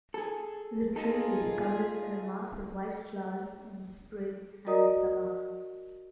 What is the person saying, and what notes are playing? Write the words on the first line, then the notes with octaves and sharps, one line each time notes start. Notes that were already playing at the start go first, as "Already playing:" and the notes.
The tree is covered in a mass of white flowers in spring and summer.
G#4 A4
D#4 F4 G#4 A4
F#4 A#4 D5 D#5 A#5 D#6